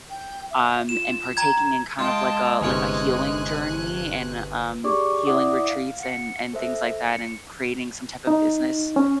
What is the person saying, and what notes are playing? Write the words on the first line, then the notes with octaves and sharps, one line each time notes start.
um, and partaking in kind of, like a like a healing journey and, um, healing retreats and and things like that, and creating some type of business
G5
E5
F4 E7
G5 A#5 G#6
G#3 F4 G5 A5
G1 G#2 C3 C#4 G#5 F#6
D4 G4 G#4 D5 C#6 D6
E4 D5 E5 F#5 D6 D#6
F5
F#5 C#7
A4 C5 E5
C#7
D#4
C#4